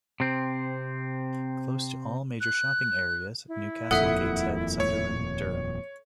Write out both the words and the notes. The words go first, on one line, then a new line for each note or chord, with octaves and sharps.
Close to all the major shopping areas: Newcastle, Gateshead, Sunderland, Durham.
C3 C4
F#6
E4
D#1 F2 A#2 A4 E5 F#5 D#6
C#5